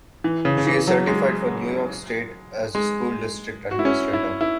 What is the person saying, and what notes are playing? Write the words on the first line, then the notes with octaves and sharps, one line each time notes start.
She is certified for New York State as a school district administrator.
E3
C#3
C#3
E3
F#3
G#3
G#3
F#4
E4
C#4
E4
E4